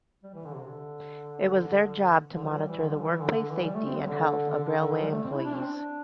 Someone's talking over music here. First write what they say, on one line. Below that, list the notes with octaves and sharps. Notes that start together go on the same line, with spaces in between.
It was their job to monitor the workplace safety and health of railway employees.
G3
E3
D3
C3
D3
D3
G3
E3
G3
E3
D3
G3
E3
E3
D3
D3
E3
G3
A3
C4
G3
D3
D3
D3
D3
E3
G3
A3
C4
E4
D4
C4
D4